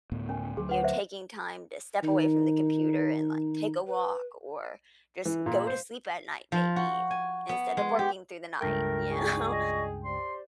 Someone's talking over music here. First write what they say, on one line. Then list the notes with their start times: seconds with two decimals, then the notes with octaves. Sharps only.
you know, taking time to step away from the computer and, like, take a walk, or just go to sleep at night maybe instead of working through the night, you know?
0.12 D2 A2 B3
0.29 C#4 A#4 G#5
0.57 D2 F#3 G#4 C6
0.69 B4 F#5
0.84 C5 E5
2.04 D#3 D#4
3.87 B4
5.25 E3
5.46 A#2
5.67 C5
6.52 F3
6.76 F#4
7.11 G#5
7.49 B3
7.77 G#3
7.99 G4
8.61 C#2 G2 A3 A#4 G5
9.10 F4 G#4 D5 C#6
9.51 D#5
10.04 G4 C5 D5 C6